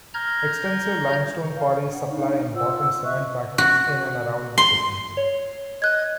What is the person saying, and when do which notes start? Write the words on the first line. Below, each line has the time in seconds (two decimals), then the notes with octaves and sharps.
Extensive limestone quarries supply important cement factories in and around the city.
0.14 A#5 F6 G6 G#6
1.54 F5
1.91 F#5
2.09 D4 D#4 F5
2.54 F4 C5 F#5 E6
3.04 D#5 E5 C#6 F#6
3.58 F#4
4.58 C6
5.17 C#5
5.82 D#5 F#6 G#6